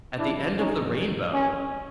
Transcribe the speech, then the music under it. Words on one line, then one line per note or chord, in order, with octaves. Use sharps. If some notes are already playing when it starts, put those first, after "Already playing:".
at the end of the rainbow,
F2 C#3 E3 G3 D4 E4
C#4 D#4
C#4